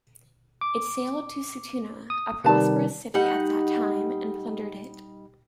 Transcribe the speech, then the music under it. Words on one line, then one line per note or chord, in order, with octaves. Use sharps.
It sailed to Sigtuna, a prosperous city at that time, and plundered it.
D6
D#6
C3 D#3 G3 B4 A5
G3 D#4 F#5